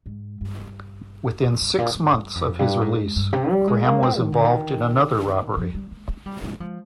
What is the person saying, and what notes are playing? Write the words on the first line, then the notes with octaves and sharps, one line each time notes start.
Within six months of his release, Graham was involved in another robbery.
G#2
G2
F2
G2
A#2
G2
G2
F2
G2
G#2
G2
C3
G3
G#3
A#3
C4
D#3
D3
D#3
F3
G3
A#3
A#3
G3
G#3
F3